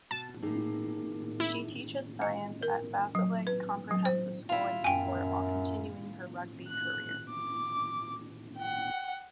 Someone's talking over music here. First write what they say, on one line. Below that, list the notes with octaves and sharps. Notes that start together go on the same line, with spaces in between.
She teaches science at Bassaleg Comprehensive School in Newport while continuing her rugby career.
B2 A5
A2 A#3 D#4 G#4
E4
D#5
A#4
F#3
B4
F#3
C5
E4 F4
F#2 G5 G#5
F#6
D6
F#5 G5